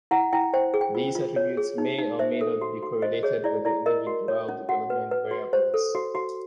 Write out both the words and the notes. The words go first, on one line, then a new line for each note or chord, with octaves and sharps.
These attributes may or may not be correlated with the individual dependent variables.
E4 F#5
E4 G5
C5 G5
G#4
G5
F4
F4
C#5
G#4
D#4
D#4
C5 E5
A4
F#4
F#4
C5 D#5
G#4 C#5
E4 D5
E4 D5
A#4 D#5
F#4
C#5
C#4
F#4 F#5
B4
B4
F#4
C5
A4
F#4
F#4